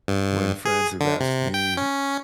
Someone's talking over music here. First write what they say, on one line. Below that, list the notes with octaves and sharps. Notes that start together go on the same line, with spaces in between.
when friends have asked me,
G2
G#4
D3
C3
G5
C#4